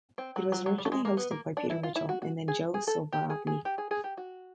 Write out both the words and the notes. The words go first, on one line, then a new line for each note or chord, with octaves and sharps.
It was originally hosted by Peter Mitchell and then Jo Silvagni.
C4
F#3
F#3
F#3
G3
A3
G#3
A#3
B3
A#3
D4
E4
F4
E4
F#4
F#4
G#4
G#4
A4
G4
G#4
G#4
G4
G#4
G#4
G4
F#4